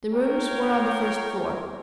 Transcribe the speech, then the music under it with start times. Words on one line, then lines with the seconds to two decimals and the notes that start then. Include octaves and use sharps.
The rooms were on the first floor.
0.14 F4 A#4 C#5 G5